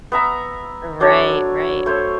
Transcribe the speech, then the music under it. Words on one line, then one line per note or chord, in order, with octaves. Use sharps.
Right, right.
B3 E5 A#5
F#3 D4 A4 C#5
A3 C5 C#5